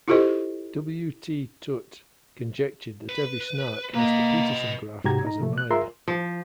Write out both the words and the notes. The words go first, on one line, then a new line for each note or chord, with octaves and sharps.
W. T. Tutte conjectured that every snark has the Petersen graph as a minor.
E4 F4 G4 A4 C5 D#5
B4
A#3 B4 D#5
G#2 C3 F#4 G4 A#5 G#6
D#4 A#5
C3 F3 A3
F#6
F4 G#4 A#4 E5 A#5 C6
F3